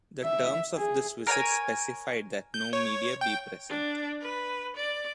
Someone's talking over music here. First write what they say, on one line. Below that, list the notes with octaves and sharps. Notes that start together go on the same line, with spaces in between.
The terms of this visit specified that no media be present.
E5
G#4
A#4 C#5 G5 G#5
G6
C#5
G5
D4
B4
D5